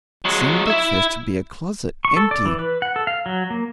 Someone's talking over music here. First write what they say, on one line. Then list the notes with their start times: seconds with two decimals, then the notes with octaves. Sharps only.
It seemed at first to be a closet, empty.
0.25 F#3 G#3
0.67 E4 E5
2.05 C#6
2.17 A4
2.31 D5
2.45 E3
2.59 B4
2.82 F#5
2.96 A4
3.07 F5
3.26 F#3
3.50 A#3